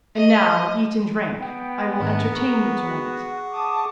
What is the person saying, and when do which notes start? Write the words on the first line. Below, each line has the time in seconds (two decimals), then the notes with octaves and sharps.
And now eat and drink; I will entertain you to-night.
0.16 D#5
1.40 B3 G5
2.00 G#2 D#3 D4 A#4
2.32 G#4 F#5 C#6
2.83 F#4
3.51 A5 D6 D#6